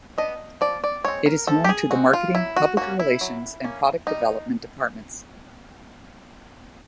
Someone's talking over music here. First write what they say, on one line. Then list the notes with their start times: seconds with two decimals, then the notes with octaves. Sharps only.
It is home to the marketing, public relations and product development departments.
0.18 B3 D4 D#5
0.61 F3 D5
0.84 D5
1.05 G#3 C4 C#5
1.26 A#4
1.47 F3 A4
1.64 G4
1.69 G#4
1.91 G#3 C4 F#4
2.13 F4
2.35 F#3 E4
2.56 F#4
2.77 A#3 C#4 F#4
2.99 E4
3.21 F#3
3.64 A#3 C#4
4.07 G3 D#4